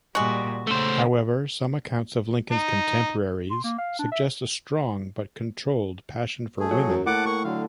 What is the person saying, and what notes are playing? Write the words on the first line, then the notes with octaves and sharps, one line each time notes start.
However some accounts of Lincoln's contemporaries suggest a strong but controlled passion for women.
A#2 G3 G#3 F#4
C#3 A3 C5
D#4
C6
A#3
F5
D4
E5
A3 G#4
F#3
F#2
A2 A#3 F#5 A5 D6
A#3 F#5 C#6
D3 F#3 F5